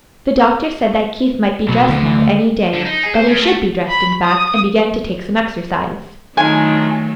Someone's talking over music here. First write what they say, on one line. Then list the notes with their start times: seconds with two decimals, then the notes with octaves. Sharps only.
The doctor said that Keith might be dressed now, any day--that he should be dressed, in fact, and begin to take some exercise.
1.69 B2 F#3
1.87 D2 D3
2.73 D3
2.85 D#4
3.03 G#4
3.15 C5
3.27 C#3
3.41 A3
3.90 B5
4.24 D#6
6.37 D#3 F#3 A3 D4 D#4 F4 A#4 G#5